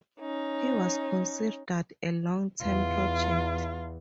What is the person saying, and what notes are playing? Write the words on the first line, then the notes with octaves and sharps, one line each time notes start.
He was considered a long term project.
C#4 D#4
E2 F4